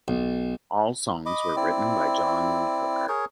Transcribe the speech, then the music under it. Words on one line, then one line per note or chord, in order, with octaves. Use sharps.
All songs written by John Lee Hooker.
B1
D#5 B5 D6
C4 E4 D5
G#4 A#4 C#5